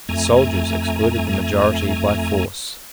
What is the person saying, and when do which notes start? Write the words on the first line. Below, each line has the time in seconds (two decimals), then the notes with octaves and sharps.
The soldiers excluded the majority by force.
0.09 F2 A3 G#5 A#5